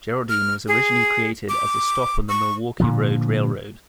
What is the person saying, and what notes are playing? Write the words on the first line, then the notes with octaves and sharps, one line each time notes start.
Geraldine was originally created as a stop on the Milwaukee Road railroad.
F6
G#4
D6
C#6
A#2 D3 F3